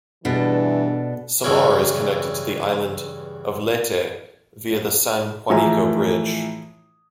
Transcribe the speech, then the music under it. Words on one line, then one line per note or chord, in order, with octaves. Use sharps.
Samar is connected to the island of Leyte via the San Juanico Bridge.
E2 G2 B2 E3 D4 A4
E2 G2 C#3 E3 C#4
A2 E3 F3 G#4 A#5